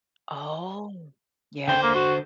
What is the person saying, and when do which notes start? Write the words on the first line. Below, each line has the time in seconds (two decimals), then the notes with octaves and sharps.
Oh yeah,
1.68 D3 C5 G5
1.83 A#3
1.95 F#4